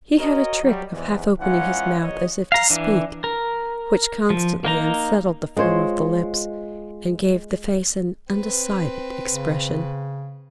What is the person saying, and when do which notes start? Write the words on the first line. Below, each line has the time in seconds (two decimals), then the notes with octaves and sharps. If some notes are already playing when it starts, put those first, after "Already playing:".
He had a trick of half-opening his mouth as if to speak, which constantly unsettled the form of the lips, and gave the face an undecided expression.
0.18 F#4 A#4 C#5 D#5
0.63 F#3 G3
0.92 E2 G#2
1.40 G#2 E3 C#4 D#4 F4 F#5
2.02 A#1 G#2 C#5 D#5
2.52 F5 A#5
2.70 E3 D4
3.24 A#4
4.30 F3
4.65 A#3 D#4 A#5
5.56 G#3 F4 C5 C#5
8.33 C4 B4
9.30 C#3